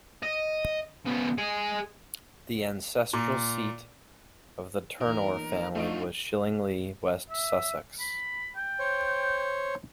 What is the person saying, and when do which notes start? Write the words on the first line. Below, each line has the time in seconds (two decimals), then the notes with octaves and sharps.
The ancestral seat of the Turnour family was Shillinglee, West Sussex.
0.23 D#5
1.06 C#3 B3
1.38 G#4 D#5
3.13 A#2
5.01 E2 A#2 D#4 A#4
5.75 A3 D4 D#4 F4 F#4 D#5 D7
7.30 E5
8.00 B5
8.56 G5
8.79 C5 C#5